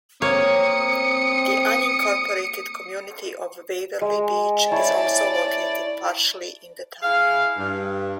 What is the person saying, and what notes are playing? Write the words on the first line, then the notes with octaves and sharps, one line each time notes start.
The unincorporated community of Waverly Beach is also located partially in the town.
A#3 C4 C#5 D#6 C#7
G#3
E4 C#5 D5 A5
E4 G#4 F5
G2